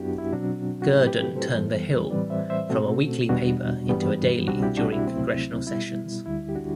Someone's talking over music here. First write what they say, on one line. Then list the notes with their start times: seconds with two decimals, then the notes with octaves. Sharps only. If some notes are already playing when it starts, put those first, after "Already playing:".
Gurdon turned "The Hill" from a weekly paper into a daily during congressional sessions.
Already playing: F#2 F#3 B3 D4 E4 F#4 G4
0.18 E4
0.33 B2 F#3 C4 D4 F#4
0.82 F#4
0.92 A2 F#3 A3 C4 E4 G4
1.06 G4 B4
1.21 F#4 A4
1.36 A4 C5
1.51 F#2 E3 G3 B3
2.10 A2 E3 G3 C4 B4 D5
2.30 C5 E5
2.50 C5 E5
2.70 B2 A3 C4 F#4 A4
3.29 E2 B2 G3 B3 D4 F#4
3.89 G2 E3 G3 B3
4.47 C2 B2 G3 C4 D4 F#4
4.62 E4 G4
4.77 D4 F#4
4.92 E4
5.07 D2 C3 F#3 A3 C4
5.66 B2 G3 B3 E4
6.26 D2 D3 G3 E4
6.49 G4
6.55 D4 F#4